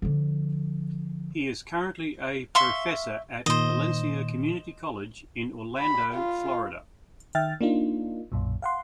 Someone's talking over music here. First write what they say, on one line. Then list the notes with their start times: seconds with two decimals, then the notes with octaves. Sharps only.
He is currently a Professor at Valencia Community College in Orlando, Fl.
0.02 D3 F3
2.55 E5 F5 C6 C#6
3.46 A#2 D#3 C5 D#5
5.79 B5
6.13 F4
7.35 D#3 E5 G5 F6 A6
7.61 A#3 D4 D#4 F4
8.32 B1 F#2 A#2
8.62 F5 F#5 C6